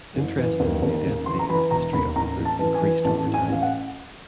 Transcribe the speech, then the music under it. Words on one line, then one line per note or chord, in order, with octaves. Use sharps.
Interest in the identity and history of the group increased over time.
F#1
E3
D#2
D#2
C#3
E3 C6
A#5
E3 B5
E1 A#5
D#2 B5
A1 A#5
A1
A5
E3
G#5
E3
A1 A5
A1
G#5
A1 F5
F#5